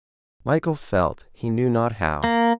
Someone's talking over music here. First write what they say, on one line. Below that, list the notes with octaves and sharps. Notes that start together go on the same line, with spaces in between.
Michael felt he knew not how.
A#3